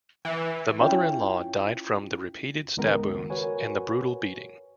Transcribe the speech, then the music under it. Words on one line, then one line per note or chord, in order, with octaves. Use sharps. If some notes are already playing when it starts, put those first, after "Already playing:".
The mother in-law died from the repeated stab wounds and the brutal beating.
E3
C#4 E4 F4 C#5 G5
C#2 G2 D#3 G#3 B3 A#4
F#4 A#4 B4 C#5 G#5